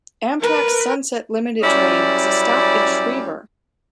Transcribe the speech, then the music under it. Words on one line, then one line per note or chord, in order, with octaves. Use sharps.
Amtrak's Sunset Limited train has a stop in Schriever.
A#4 B4
F#2 G3 C#4 E4 D5